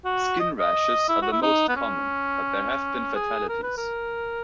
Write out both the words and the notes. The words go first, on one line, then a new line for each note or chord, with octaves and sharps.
Skin rashes are the most common, but there have been fatalities.
F#4
D#5
D#5
E4
F#4
E4
D#4
B3
C#4
G#4
A#4
B4
A#4